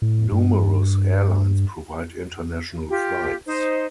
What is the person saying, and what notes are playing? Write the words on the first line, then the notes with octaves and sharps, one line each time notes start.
Numerous airlines provide international flights.
A2
G2
F4 G4
D#4 C5